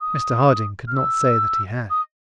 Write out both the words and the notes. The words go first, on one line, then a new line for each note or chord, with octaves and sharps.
Mr Harding could not say that he had.
D#6
F6
E6
D#6